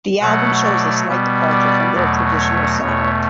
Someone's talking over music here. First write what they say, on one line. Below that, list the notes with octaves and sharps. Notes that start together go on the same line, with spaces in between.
The album shows a slight departure from their traditional sound.
B2 F#3 A3 F#5
D5
B2 G3 B3
D5
E2 B2 F#3 A3
C#5
E2 B2 A3 C#5